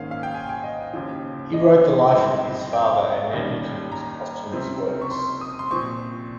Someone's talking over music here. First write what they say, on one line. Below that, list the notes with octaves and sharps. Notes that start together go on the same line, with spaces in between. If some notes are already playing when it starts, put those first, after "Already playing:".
He wrote the life of his father, and edited his posthumous works.
Already playing: G#2 D#3 A#3 C#4 F5
F5
G5
G#5
G5
D#5
D#2 C#3 F3
D#5
G2 F3 G#3 C4 D#4
G5
D#2 D#3 G3 C#4
A#5
C#2 C3 F3 C4
C#6
C6
D#6
C6
A#2 F3 C4 C#6